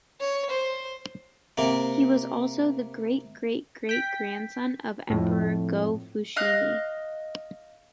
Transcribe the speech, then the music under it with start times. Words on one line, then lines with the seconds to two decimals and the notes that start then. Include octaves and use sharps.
He was also the great-great-great grandson of Emperor Go-Fushimi.
0.20 C#5
0.50 C5
1.58 C3 A#3
3.89 G5 B6
5.10 F2 A2
6.36 D#5 F5 F#6